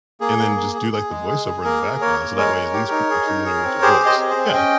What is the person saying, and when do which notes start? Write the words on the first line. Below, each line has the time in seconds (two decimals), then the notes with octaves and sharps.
And then just do, like, the voiceover in the background so that way at least people are familiar with your voice. Yeah.
0.21 A#3 G#4
0.39 A#3
0.56 A#3
0.75 G#4
0.93 G#4
1.11 G#3
1.29 G#4
1.47 G#4
1.65 A#3 A#4
1.83 G#4
2.01 A#3 A#4 C#5
2.19 A#3
2.37 G#3 A#4 C#5
2.55 G#3
2.73 G4
2.91 D#4
3.10 G#4
3.27 D#4
3.46 G#4
3.63 C4
3.82 G4 G#4 C5
4.00 G4
4.06 C5 D#5
4.18 C4
4.30 G#4 C5
4.36 C4
4.54 C#4 D#5 G5